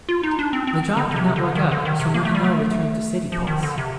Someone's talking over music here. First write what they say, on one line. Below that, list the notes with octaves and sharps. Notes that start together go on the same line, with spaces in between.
The job did not work out, so Martineau returned to City"Pulse".
F4
D#4
D4
C4
C4
D3
D3
C3
D3
D#3
D3
D#3
C3
A#3
A3
G3
A3
F3
D#3
D3
C3